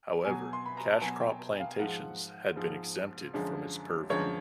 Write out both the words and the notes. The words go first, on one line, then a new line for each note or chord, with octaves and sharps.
However, cash crop plantations had been exempted from its purview.
B2 F#3 G#5
C6
B5
A#5
A5
B2 F#3 G#5
G5
F5
G#2 F3 G#3 F#5
G#2 F3 G#3
F#2 D3 F3 G#3
F#2 D3 F3 G#3 C#5